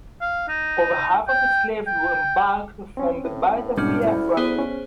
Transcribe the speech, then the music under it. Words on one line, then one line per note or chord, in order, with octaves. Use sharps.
Over half of his slaves were embarked from the Bight of Biafra.
F5
D#4
G5
G5
C4 C#4
A2
G#2 B2 G3 C#4 D4 F6
D2 E4
B3 G#4 C5 D#6
C#4